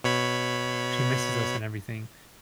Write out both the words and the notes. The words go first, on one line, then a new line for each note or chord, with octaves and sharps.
she misses us and everything.
B2 C#5 B5